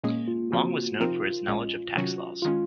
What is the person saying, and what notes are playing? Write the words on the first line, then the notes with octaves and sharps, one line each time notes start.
Long was known for his knowledge of tax laws.
A#2 G#3 A#3 C#4 G#4
F4
C#3 F3 C4 F#4
C3 F3 C4 D#4 F4 A#4
A#1 A#2 G#3 C#4
C3 D#3 F#3 C#4 F#4
D#3 G#3 C#4 F4